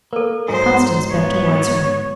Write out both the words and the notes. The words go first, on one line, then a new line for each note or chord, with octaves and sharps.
Constance bent towards her.
A#3 A4 A#4
G#2 F#3 D#4 C5 G#5
B3 C#5